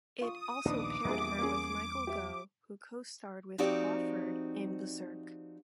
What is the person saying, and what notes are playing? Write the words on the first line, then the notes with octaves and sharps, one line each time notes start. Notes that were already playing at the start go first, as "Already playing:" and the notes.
It also paired her with Michael Gough, who costarred with Crawford in Berserk!
F4 C#6 D#6
A#1 D#2 B3 D4 D#4 D6
A#1 E2 G3 G#4
A#3 C#4 G#4
G4 E5
F3 C4 D#4 F#4 G4 D5